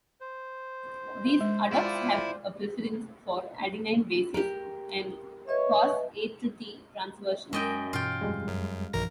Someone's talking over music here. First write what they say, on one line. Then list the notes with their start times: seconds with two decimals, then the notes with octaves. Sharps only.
These adducts have a preference for adenine bases, and cause A-to-T transversions.
0.20 C5
1.41 G#3
1.73 E4 F4 D5
4.34 G4 A#4
5.48 B4 C#5 D#5 E5
7.53 F#2 G#3 D#5 G5
7.93 G2 B2 E3 F4 G5
8.21 F2 G3 G#3
8.48 F#2
8.93 B1 G2 E3 F3 A#4 A#6